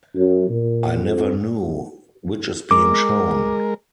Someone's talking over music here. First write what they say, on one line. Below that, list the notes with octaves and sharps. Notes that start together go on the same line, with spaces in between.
I never knew which is being shown.
F#2
A#2
F2
G#3 A#4 D6